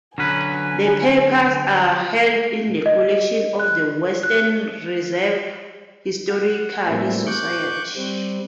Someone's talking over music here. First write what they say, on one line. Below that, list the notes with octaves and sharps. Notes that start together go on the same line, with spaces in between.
Her papers are held in the collections of the Western Reserve Historical Society.
D3 F#3 C#4 B4 G#5
D#5
F#6
F#6
F#5
A2 G3 A#3 C4 E4
C#6 D6 F#6 G6
G3 C4